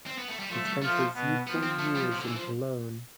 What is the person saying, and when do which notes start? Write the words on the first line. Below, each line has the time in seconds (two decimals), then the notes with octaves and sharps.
He spent his youthful years in Cologne.
0.07 C4
0.18 B3
0.28 A3
0.39 G3
0.50 F3 A3 A4
0.66 G3
0.82 F3 A3 F4
1.14 B2 B3
1.47 F3 B3
1.63 C4
1.79 A3
1.95 G3
2.12 C3
2.19 D3
2.27 E3
2.36 F3